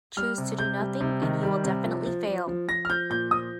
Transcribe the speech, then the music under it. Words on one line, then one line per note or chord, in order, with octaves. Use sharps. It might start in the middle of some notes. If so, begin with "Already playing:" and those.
Choose to do nothing and you will definitely fail.
G3 F6
C3
C3 G6
G3
C3
D#3
G3
C3
F3
F3
F3
F3
F3 A#6
F6
F3 G6
A#2 G6
F3 D#6